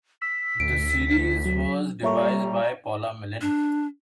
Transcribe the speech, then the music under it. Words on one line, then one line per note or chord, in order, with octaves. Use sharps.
The series was devised by Paula Milne.
E6 B6
D2 D7
F#3
G3 A#3 F4 A4 C#5 E5 A#5 C#6
D4